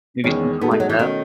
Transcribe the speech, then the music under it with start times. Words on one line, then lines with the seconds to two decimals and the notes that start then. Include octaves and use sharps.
maybe something like that?
0.24 E2 D#3 G#3 B3 C#4
0.61 B2 G#3 B3 D#4 A4
0.71 A3
0.80 F#3
0.89 E3
0.99 B2 D#3 A3 C#4